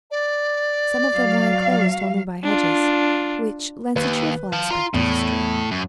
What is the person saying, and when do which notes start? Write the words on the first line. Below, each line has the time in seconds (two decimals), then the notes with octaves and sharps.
Some of them are enclosed only by hedges, which lends a cheerful aspect to the street.
0.10 D5
1.12 F#3 F5
2.44 D4 F4
3.96 D#2 B4
4.53 F5 A5
4.70 F4 A#5 C6
4.94 E2 A2
5.71 F#2